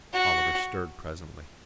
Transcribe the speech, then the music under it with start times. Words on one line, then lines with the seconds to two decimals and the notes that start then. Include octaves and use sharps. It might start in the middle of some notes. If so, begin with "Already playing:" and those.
Oliver stirred presently.
0.14 F#4